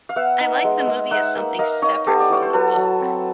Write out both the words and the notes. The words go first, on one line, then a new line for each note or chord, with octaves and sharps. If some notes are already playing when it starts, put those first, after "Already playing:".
I like the movie as something separate from the book,
F5
B3 E5 F#5
D#4
G#3
G#3
D#4 E5 F#5
A#3
A#3 D#5 F5
D#4 C#5 D#5
B3 G4 A4
D5
E4 C#5
C5
F#3 A4 B4
F#3
C4